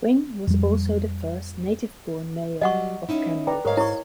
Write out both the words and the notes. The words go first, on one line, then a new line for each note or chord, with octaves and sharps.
Wing was also the first native-born mayor of Kamloops.
F2 G3
F#3 G3 D#5 F#5 C#6
C#4 D#4 E4
B4 D5 G5 A#5
G#2 A#4 C#5 D#5 F5
E4 C#5 C#6